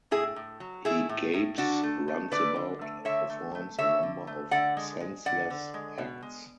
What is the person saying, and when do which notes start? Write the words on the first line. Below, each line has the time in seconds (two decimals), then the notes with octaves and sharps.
He gapes, runs about, and performs a number of senseless acts.
0.11 A2 E4 G#4
0.36 A2
0.60 F#3
0.85 A3 E4 G#4
1.09 A2
1.34 A2
1.58 D3 D4 F#4
1.83 A3
2.08 A3
2.31 D3 B4 D5
2.56 D3
2.81 A3
3.05 D3 C#5 E5
3.30 A3
3.55 A3
3.78 D3 C#5 E5
4.03 D3
4.27 A3
4.51 D3 D5 F#5
4.77 G#3
5.00 G#3
5.26 D3 D5 F#5
5.50 D3
5.74 G#3
5.98 B2
6.23 G#3